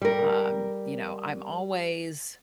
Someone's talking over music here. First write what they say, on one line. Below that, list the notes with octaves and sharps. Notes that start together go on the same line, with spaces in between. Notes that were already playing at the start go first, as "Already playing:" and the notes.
um, you know, I'm always
G3 A#4